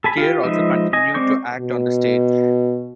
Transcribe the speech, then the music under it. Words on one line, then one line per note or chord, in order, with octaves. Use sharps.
Keir also continued to act on the stage.
A4 G#5 B5
F4 G4
F3 G#3 D#4 B4 E5
D#5 G#5
G#3 C4 D5 C#6 G6
B2